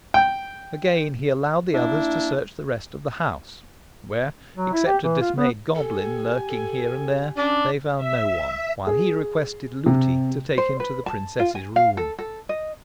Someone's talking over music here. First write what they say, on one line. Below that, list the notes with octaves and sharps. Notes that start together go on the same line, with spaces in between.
Again he allowed the others to search the rest of the house--where, except a dismayed goblin lurking here and there, they found no one--while he requested Lootie to take him to the princess's room.
G5
A#3 D4 E4
F#3
E4
G4
E3
F4
B3
G4 A4 G#5
A4
C#4 D4
E5
E5
G#4
C3
C5
B4
A5
F4
G#5
F5
A4
A4
D#5